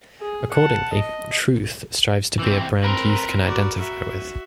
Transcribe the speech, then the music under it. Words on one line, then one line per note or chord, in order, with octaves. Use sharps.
Accordingly, "truth" strives to be a brand youth can identify with.
G#4
F#5 A5
D#5
E3 C4
C4 A#4 B4
F#4 D5
F#4 E5